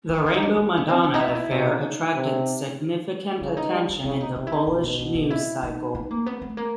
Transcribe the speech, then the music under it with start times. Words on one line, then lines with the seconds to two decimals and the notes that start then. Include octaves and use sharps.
The Rainbow Madonna affair attracted significant attention in the Polish news cycle.
0.09 D#4
0.25 D4
0.34 D#4
0.43 D4
0.56 C#4
0.77 B3
0.88 C4
1.04 B3
1.14 D#4
1.20 E4
1.28 D#4
1.35 E4
1.51 B2 D#4
2.15 C3
3.41 C#3 D4
3.57 D#4
3.73 G3
3.88 D#4
4.04 C#3 E4
4.21 D#4
4.36 C3 D#4
4.47 E4
4.52 D#4
4.67 B2 D#4
4.83 D#4
4.99 D4
5.15 D#4
5.30 E4
5.63 D#4
5.95 D#4
6.11 A#3
6.26 B3
6.42 A3
6.57 A#3